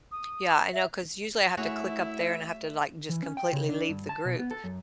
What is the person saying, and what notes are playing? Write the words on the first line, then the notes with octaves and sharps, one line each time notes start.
Yeah. I know. 'Cause usually I have to click up there and I have to, like, just completely leave the group.
D#6
E5
A3 E4 F#4 G#4 C#5 E5
E3
C#4
G5
C#3
D4
G2
A5
B2
B3
A4
F#2